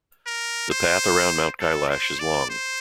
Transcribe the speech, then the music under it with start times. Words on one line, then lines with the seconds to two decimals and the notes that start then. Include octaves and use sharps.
The path around Mount Kailash is long.
0.26 A#4
0.70 C5
1.60 A4
1.89 C5
2.19 D5
2.50 C5